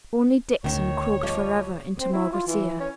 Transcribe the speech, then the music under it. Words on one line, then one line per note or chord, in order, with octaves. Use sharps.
Only Dixon croaked for ever into Margaret's ear.
D2 D#3 C#5
F3 G3 D#5
C4
E4
F4
E3
C#4